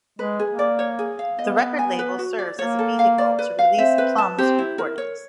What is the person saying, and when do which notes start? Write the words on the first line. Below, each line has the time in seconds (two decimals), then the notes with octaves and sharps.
The record label serves as a vehicle to release Plumb's recordings.
0.19 G#3 B4
0.40 G#4
0.49 A#3
0.59 D5
0.79 C#5
0.99 G#4
1.19 F5
1.39 B3 D#5
1.59 B4
1.79 G#5
1.99 B4
2.19 F#4
2.39 D5
2.59 A#3 C#5
2.79 A4
2.99 F5
3.18 D5
3.39 B4
3.59 F5
3.78 C4 E5
3.98 B4
4.18 A5
4.38 C4 G4
4.58 E4
4.78 A#4
4.98 C#5